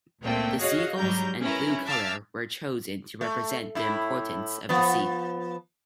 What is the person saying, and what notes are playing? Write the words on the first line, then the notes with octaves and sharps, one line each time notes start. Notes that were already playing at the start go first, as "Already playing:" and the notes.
The seagulls and blue color were chosen to represent the importance of the sea.
C#2 A#2 A3 A#3 C4 G5
F#4 G#4 C#5 D#5 F5 F#5
G#2 F#3 G3 A#5 G6
C#4 E4 G#4 A#4 B4 A#5
E5 F5 A5 D6 E6 F6
A3
A2 E4
F3 B3